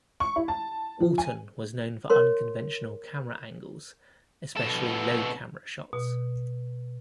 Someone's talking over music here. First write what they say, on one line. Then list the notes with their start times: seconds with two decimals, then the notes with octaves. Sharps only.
Alton was known for unconventional camera angles-especially low camera shots.
0.20 C#6
0.36 E4
0.48 A5
1.00 F3
1.18 G#5
2.10 A#4 C#5 C6
4.57 B2 A4
5.93 B2